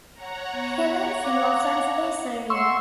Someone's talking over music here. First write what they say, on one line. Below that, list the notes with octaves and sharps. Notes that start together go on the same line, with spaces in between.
He lives in the Los Angeles area.
C#5 F#5 A#5
B3
F5 D6
C#5 F#5 C6 C#6 E6